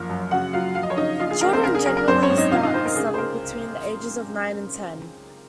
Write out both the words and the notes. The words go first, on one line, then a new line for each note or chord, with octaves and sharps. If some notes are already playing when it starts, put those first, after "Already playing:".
Children generally start this level between the ages of nine and ten.
Already playing: F#1 F3 A#4
F#2
C#3 F#4 F#5
F#3 F4 F5
F3 F5
D#5
C#5
C#3 D#4 D#5
A#1 F4 F5
G#4
A#1 A#4
C4 C5
C#3 A#4
G#4
F#3 A#4
A#4
F#2 C4 C5
C#4 C#5
G#1
D#4 D#5
C3 F4 F5
D#4 D#5
C3 C4 C5
A#4
C#3 G#4
G#4
C5
A#4